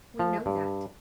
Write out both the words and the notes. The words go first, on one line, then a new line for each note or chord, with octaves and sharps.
We know that.
F3
G2